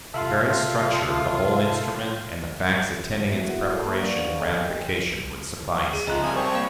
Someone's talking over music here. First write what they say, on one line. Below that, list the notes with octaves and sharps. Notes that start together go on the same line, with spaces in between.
The very structure of the whole instrument and the facts attending its preparation and ratification would suffice.
C3 F4 A4 E5 F5 C6
B3 F#4 E5
E4 F#4 G#4 A#4 E5 F#5
A4 C5 C#5
A#3 E5
D4 B4 D5 F5 F#5 C#6
G#4 A4 C#5 D#5 G5 G#5
G#4
C#2 C3 F3 D#5 F5 A#5 F#6
C3 G3 G#5 D#6
C5 C#5 G5 A5
A#3 F5 E7